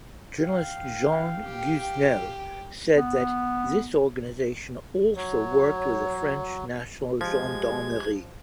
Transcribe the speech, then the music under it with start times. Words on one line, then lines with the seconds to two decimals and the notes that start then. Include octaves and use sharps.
Journalist Jean Guisnel said that this organization also worked with the French National Gendarmerie.
0.41 F5 G5
1.44 G4
2.95 B3
5.15 F#3 C#5
7.21 F3 G#3 G4 G#6